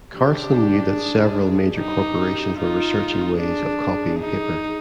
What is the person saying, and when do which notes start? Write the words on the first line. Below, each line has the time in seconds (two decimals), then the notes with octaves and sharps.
Carlson knew that several major corporations were researching ways of copying paper.
0.14 D4 G4
0.95 G#4
1.77 D#4 G4
2.57 D#4 F4
3.38 D4 G#4
4.20 D#4